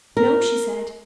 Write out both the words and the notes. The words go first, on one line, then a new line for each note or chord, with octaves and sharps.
"No," she said.
A#4